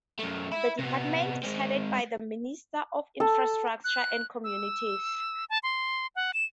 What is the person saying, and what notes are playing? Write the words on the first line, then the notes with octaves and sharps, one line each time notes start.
The department is headed by the Minister of Infrastructure and Communities.
F#2 A3
E5 B5
C3 B3
G#3 C4
A4
F#6
E6
A5
C6
F#5
E7